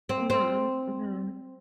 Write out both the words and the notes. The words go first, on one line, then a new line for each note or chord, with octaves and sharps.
Mhm, mhm.
C4
C4